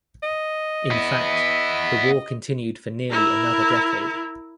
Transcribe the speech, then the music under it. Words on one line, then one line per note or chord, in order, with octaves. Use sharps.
In fact, the war continued for nearly another decade.
D#5
B3 E4
E4 A#4